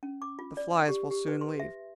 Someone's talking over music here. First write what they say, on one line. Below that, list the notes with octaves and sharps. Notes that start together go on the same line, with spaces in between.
The flies will soon leave.
C#4
D6
F4
D5
G4
G4
B4
C6
E5